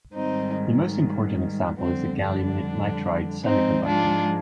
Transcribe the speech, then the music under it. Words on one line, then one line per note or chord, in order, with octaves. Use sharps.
The most important example is the gallium nitride semiconductor.
G#2 D#3 G3 C4 D#4
F2 D3 G3 C4
D4
G#2 F3 G#3 C4 D#4
D4 F4